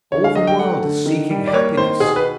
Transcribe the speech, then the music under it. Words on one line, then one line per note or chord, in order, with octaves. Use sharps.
All the world is seeking happiness.
D3 C#5
F5
F#3 D#5
G5
A3 F#5
D3
D#3
G3
D5
A#3 C#5
D#3 C5
B2 G#4
B4